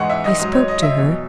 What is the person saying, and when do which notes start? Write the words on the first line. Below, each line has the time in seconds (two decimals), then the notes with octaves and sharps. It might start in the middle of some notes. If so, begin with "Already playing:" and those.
I spoke to her.
Already playing: G#2 E3 G#3 F#5 C#6
0.10 E5
0.24 D#5
0.38 G#2 F#3 D#5
0.53 C#5
0.68 D#5
0.83 E5
0.97 E2 B2 F#3